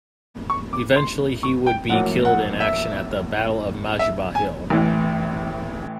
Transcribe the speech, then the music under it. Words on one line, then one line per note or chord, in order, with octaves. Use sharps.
Eventually he would be killed in action at the Battle of Majuba Hill.
C#6
D6
C6
C#6
G5
A#1 A2 F#3 A#3 F#5
F#5
E5
E5
G#5
A1 A2 E3